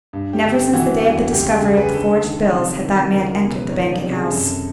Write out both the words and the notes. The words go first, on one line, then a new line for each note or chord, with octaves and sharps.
Never since the day of the discovery of the forged bills had that man entered the banking-house.
G2
G4
D3
G4
E3 F#4
E2
C#2 G4
G#4
C#2 G#4
B4
D3 A4
D#2
C3
D#3
C#2 A#4
A#4
B2
B4
D#3 C#5
D5
C3
G#4
F#2 A4